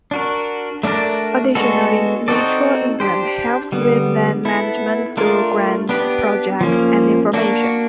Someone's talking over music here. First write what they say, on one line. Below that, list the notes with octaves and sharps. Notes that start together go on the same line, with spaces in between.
Additionally Natural England helps with land management through grants, projects and information.
D4 F#4 A#4
A3 D4 F#4 A#4 D5
G#3 B3 D4 F#4 A4
C4 D#4 F#4 A4 D5
D4 G4 C5
D3 G3 B3
B3 E4 A4
A3 D4 F4 A#4 D5
B3 D4 G4 B4
F3 A#3 C#4
A#3 D4 F#4